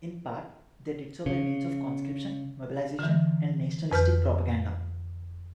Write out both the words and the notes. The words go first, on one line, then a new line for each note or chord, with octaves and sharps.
In part, they did so by means of conscription, mobilization, and nationalistic propaganda.
C#3
D3 E3
F2 B4 F6 G6